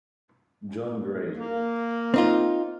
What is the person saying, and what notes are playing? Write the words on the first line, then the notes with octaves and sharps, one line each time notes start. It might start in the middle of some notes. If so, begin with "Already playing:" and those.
John Gray.
A#3
C4 D#4 F4